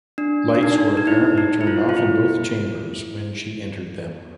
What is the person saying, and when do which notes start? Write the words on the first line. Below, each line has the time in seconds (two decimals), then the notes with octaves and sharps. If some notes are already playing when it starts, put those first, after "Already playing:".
Lights were apparently turned off in both chambers when she entered them.
0.18 D4
0.55 D4
0.63 D#4
0.97 D#4
1.07 E4
1.38 D#4
1.61 E4
1.67 F4
1.89 F4
1.97 E4